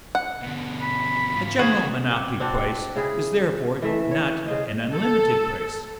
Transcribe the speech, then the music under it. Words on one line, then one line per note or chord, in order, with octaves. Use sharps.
A general monopoly price is therefore not an unlimited price.
F#5
B2 D3
B5
G#2 F4
D#3 F4 F#4 G#4
G4 F#5
C4 D4 F#4
C#3 E4 G#4
E3 A3 E5
C#5
C#3 C5 D#5
A4